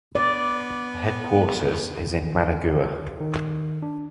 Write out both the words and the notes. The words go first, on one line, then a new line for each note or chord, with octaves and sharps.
The headquarters is in Managua.
B3 D5
D#3
D4